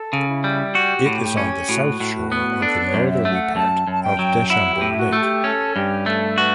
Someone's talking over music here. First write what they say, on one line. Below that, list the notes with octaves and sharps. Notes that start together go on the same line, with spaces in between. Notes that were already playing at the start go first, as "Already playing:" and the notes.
It is on the south shore of the northerly part of Deschambault Lake.
Already playing: A4
C#3
E4
G3
F#4 G4
A2
C#4
A2 F#4
A2
F#4
B3
D4 A4
C#5
F#2
E5
A3
F#5
F#2 A5
F#2 A5
G5
F#3
E4 F#5
G4
A2
E4
F#4
A3 A4
G4
C#4 A4
G2 G4
A3 A4
F#4 B4